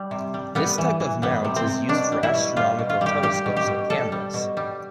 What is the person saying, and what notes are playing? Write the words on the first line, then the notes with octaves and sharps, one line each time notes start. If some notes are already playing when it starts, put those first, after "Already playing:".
This type of mount is used for astronomical telescopes and cameras.
Already playing: G3
C3
G3
G3 B3
E3
E3
G3 B3
C3
C4
C3
B2 D4
G3
E4
B2
G3 F4
B2
F4
G3
G4
G3 G4
B2
G4
B2
G3 A4
G3
B2
G3